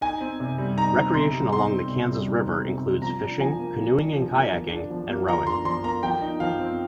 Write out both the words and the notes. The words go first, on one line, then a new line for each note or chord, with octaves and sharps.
Recreation along the Kansas River includes fishing, canoeing and kayaking, and rowing.
D#4 G#5
C4
C3
G3
D#4 A#5
C4
C3 C6
G3
D#4 C6
C4
C3
G3
D#4
C4
C3
G3
F3 A#5
D4
F3 G#5
A#3
F3
D4
F3
A#3
F3
D4
F3
A#3
F3 A#5
D4 C6
F3 C6
A#3 A#5
F3 G5
D#4
F3 F5
C4